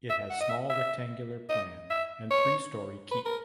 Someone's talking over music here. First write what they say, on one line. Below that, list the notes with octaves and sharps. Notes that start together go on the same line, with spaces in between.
It has small rectangular plan and three storey keep.
E5
F#5
D#5
E5
E5
D#5
E5
C#5
B4
A#4